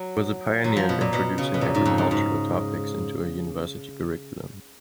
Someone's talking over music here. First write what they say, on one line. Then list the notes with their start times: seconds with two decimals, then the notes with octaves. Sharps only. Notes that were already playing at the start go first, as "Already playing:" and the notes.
He was a pioneer in introducing agricultural topics into a university curriculum.
Already playing: F#3
0.64 F#3
0.76 F3
0.89 B2
1.01 A#2
1.13 B2
1.38 C#3
1.54 B2
1.61 A#2
1.75 G#2
1.86 F2
1.98 F#2
2.11 G#2